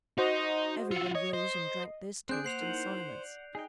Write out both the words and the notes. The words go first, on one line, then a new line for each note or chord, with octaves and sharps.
Everyone rose and drank this toast in silence.
D#4 F#4 C5 D#5
F4 F#4 E6 C#7
C#5 D#5
C5
C4 D4 G#4 F#6 G6 D7
A#3 C5 F#5 G6 C7 F7
D#4 E4 A#4
D5
D#4 G#4 G5